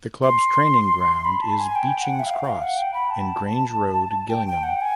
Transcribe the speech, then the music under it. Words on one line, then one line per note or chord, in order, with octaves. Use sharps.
The club's training ground is Beechings Cross, in Grange Road, Gillingham.
C6
B5
A5
G#5
G5
F#5
E5
F5
F5
F#5
G5
B5
A5
G5
G5
F#5
G#5